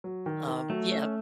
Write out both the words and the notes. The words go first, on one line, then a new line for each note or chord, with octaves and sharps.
Um, yeah
F#3
D#3
D#3
F#3 A3
C#4